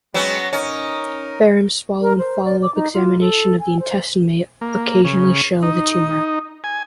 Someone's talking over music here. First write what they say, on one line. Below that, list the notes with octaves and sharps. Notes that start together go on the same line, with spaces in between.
Barium swallow and follow-up examination of the intestine may occasionally show the tumor.
F#3 G#3 B3 C#4 G5 B5
C#4 D#4 A#4 D#5
A#4
C5
D5
D6
D#4
F4
A4
G#5
C5
A#3
C#3
D#4
G#5